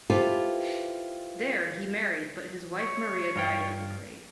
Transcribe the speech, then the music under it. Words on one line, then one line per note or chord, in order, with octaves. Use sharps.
There, he married, but his wife Maria died of the plague.
E4 F4 G4 A4 B4 C5
C#5
G2 F4 G5